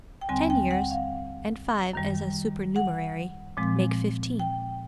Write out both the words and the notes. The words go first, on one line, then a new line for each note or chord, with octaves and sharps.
"Ten years, and five as a supernumerary make fifteen."
G5
D#2 D3 G3 C4 G#5
G5
F#5
F5
F#2 D#3 G3
F#5
A#2 F3 G#3 C4
G5